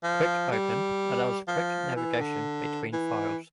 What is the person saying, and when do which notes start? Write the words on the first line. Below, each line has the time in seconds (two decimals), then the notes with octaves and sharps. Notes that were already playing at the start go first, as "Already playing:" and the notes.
"Quick Open" allows quick navigation between files.
0.04 F3
0.52 G3
1.48 F3
1.96 E3
2.21 D3
2.93 E3